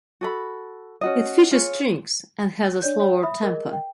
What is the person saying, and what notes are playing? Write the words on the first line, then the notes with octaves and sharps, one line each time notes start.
It features strings and has a slower tempo.
F#4 A4 B5
C#4 F#4 D#5
F4 G#4 C#5
D4 C#5 D5 G6
C#5 G5
E5 B5 D#6
G#4 A#4 D#5
G5